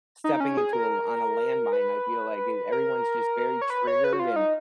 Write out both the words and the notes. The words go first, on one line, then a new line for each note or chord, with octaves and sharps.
stepping into a l on a landmine, I feel like th everyone's just very triggered, and,
D#4
C#4
G#4
A#4
B4
A#4
C#5
B4
C#5
B4
F#4
F4
D#4